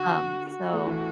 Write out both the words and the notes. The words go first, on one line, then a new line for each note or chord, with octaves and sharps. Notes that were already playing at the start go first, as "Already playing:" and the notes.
Um, so,
Already playing: D3 F#4
F#4
A3
E3